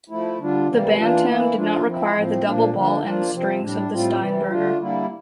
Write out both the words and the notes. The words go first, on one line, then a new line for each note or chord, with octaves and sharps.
The Bantam did not require the double-ball end strings of the Steinberger.
F3 A3 E4
D3 G3 D4 F4
C3 E3 G3 A#3
E3 A#3 D4 F4
E3 A#3 E4
F3 A3 D4 F4
F3 C4 E4
A2 F3 C4
A#2 F3 A#3 D4
D3 F3 A#3 D4
F3 A#3 D4 F4
C3 F3 C4
A2 G3 D4
A2 G3 C4 F4
C3 E3 G3
D3 A3 D4 F4
D3 G3 A#3 E4